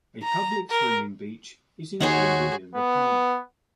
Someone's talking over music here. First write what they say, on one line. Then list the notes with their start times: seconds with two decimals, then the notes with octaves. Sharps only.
A public swimming beach is included in the park.
0.23 A#5
0.70 A#4
2.00 D#2 D#4 F#4 G#4 C5 C#5 F#5
2.75 B3